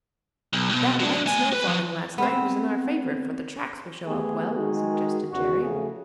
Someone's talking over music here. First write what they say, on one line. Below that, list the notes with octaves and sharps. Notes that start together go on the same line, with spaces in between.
"That light snow falling last night was in our favor, for the tracks will show up well," suggested Jerry.
B1
G2 B2
F#3 D4
A3 G#5
B4
F3
B3 C4
A3 B3 G4 G#4
D#3 G#3 F#4 G#4
E2 C#3 F#4
C#3 F3 A3 G#4